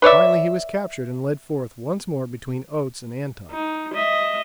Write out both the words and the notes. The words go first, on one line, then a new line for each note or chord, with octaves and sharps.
Finally he was captured and led forth once more between Oates and Anton.
B4 C#5 D5 E5
D#4
D#5 E5